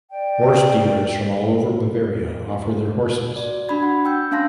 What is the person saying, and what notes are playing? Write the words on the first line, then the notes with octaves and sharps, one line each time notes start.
Horse dealers from all over Bavaria offer their horses.
D5 G5
F#4 D5
D4 F#4 B5 G#6
F#5
G5 E6 G6
C#4 D4 F5 A5 C6 A#6